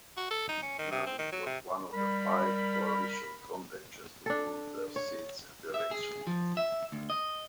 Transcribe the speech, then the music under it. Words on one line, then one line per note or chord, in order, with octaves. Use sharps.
Nairn was one of five Coalition frontbenchers to lose their seats at the election.
F#4
A4
D#4
C#4
D#3
C3
C4
D#3
F#3
C3
G3 A#4 B5
D4 A4
C#5
E5
G#4
F3
E5
D2
D#5